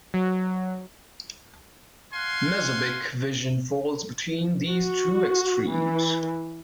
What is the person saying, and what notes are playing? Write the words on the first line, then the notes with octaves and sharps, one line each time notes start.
Mesopic vision falls between these two extremes.
F#3
F5 F#5 G#5 C6
F#4
E3